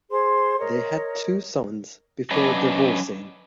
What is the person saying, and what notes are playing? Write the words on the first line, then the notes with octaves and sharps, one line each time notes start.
They had two sons before divorcing.
G#4 C5 C6
A#4 C#5 D#5
F#3 C#4 D4 B4 C#5 D#5